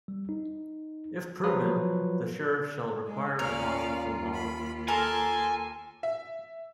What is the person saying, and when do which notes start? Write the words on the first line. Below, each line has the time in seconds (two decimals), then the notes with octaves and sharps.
If proven, the Sheriff shall require a deposit from Bob.
0.08 G3
0.29 D#4
1.44 F3 F#3 F4 B4
3.06 G#3
3.39 D#2 C#4 F4 A#4 D5 F5
4.34 B5
4.88 A4 A#4 G#5 A5 C6 D6
6.03 E5